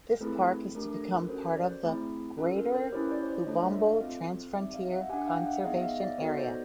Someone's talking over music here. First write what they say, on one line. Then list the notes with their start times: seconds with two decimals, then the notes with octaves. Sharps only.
This park is to become part of the: Greater Lubombo Transfrontier Conservation Area.
0.21 A3 C4 E4 G#4 A4 B4
0.75 A3 D4 G4 A#4
0.88 A4
1.03 A#4
1.15 A4 B4
1.29 C#4 F#4 A4 A#4 C5
1.57 C5 D5
1.83 A3 C4 E4 G#4
2.38 C#4 F4 A4
2.57 A#4
2.74 A#4 C5
2.92 C#4 E4 G4 B4 C#5
3.11 C5 D5
3.22 C#5
3.28 C5 D5
3.46 A3 D4 F4 A4 C#5 D#5
3.65 D5 E5
3.83 D#5 F5
4.01 C4 F4 A4
4.55 C4 D#4 G4 D5 E5
4.74 D#5 F5
4.92 E5 F#5
5.10 G4 F#5 G#5
5.13 D4
5.28 F5 G5
5.46 E5 F#5
5.65 B3 D#4 G#4 D#5 F5
5.76 E5
5.82 D#5 F5
6.00 D5 E5
6.18 B3 D#4 F#4 A4 C#5 D#5
6.37 C5 D5